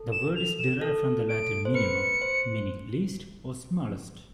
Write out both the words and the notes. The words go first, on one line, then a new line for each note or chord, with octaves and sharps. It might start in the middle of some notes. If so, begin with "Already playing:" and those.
The word is derived from the Latin "minimum", meaning "least" or "smallest".
Already playing: A4
E7
F7
E7
A4
D7
C5
B4 C#7
C5